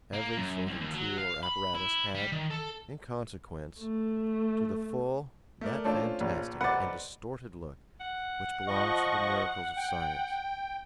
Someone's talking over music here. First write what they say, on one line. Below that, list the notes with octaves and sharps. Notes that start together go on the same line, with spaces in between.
Every sort of tool or apparatus had, in consequence, to the full, that fantastic and distorted look which belongs to the miracles of science.
A#3
F#2
C2
D#2
F#3
F5
B5
E4
G3
D#3
A4
A3
A3 A#4 D5
A3 C#4 D4 F4 C5 D5
A#1
B1 B4 C5 D5 F#5 A6
F#5
F3 D#5 C#6
G5